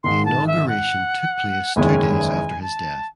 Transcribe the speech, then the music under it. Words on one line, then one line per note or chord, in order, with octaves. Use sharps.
The inauguration took place two days after his death.
G#1 G#2 D#3 C6
A5
E5
F#5
F#1 E2 D#3 G#3 C#4 G#5
A5